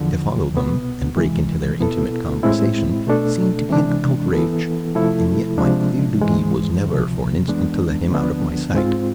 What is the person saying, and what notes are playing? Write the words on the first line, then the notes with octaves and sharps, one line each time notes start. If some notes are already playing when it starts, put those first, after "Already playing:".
To follow them and break into their intimate conversation seemed to be an outrage, and yet my clear duty was never for an instant to let him out of my sight.
Already playing: E2 D3 F3
C2 B2 B3
F2 C3 E3 G#3
B2 B3 E4 A4
A2 G#3 C4 E4
B2 A3 D4 A4
C3 E3 G#3 D4
E3 B3 E4 A4
C3 F3 A3 E4 A4
C3 F3 G#3 D4
G#2 E3 G#3
D2 C3 F3
F2 E3 G#3 B3 D4
D2 D3 F3 B3 D4
G#2 G#3 C4 F4